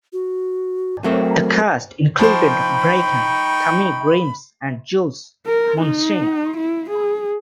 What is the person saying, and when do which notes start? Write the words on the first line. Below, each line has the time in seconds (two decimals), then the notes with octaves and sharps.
The cast included Bracken, Tammy Grimes, and Jules Munshin.
0.13 F#4
1.04 F#3 A3 C4 A#4
2.19 F3 D#4 C5 G5 B5 C#6
5.46 A#4
5.81 D#4
6.57 E4
6.90 G#4